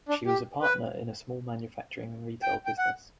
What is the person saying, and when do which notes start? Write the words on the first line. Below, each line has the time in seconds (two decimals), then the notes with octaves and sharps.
She was a partner in a small manufacturing and retail business.
0.09 D4
0.26 G4
0.62 B4
2.43 G5
2.66 G5
2.78 F#5